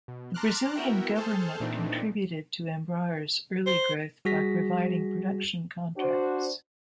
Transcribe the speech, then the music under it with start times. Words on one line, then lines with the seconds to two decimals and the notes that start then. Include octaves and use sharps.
The Brazilian Government contributed to Embraer's early growth by providing production contracts.
0.08 B2
0.34 A5 A#5 C6 D6 F6 F#6
0.75 B3 E4 F#4 A#4 E5 G5
1.15 G#4 A4 C5 A5 F6 G6
1.60 A#2 E3 A3 C4 D4 D#4
3.66 C5
4.25 G3 F#4 G#4 A#6 B6
5.98 D4 F#4 C5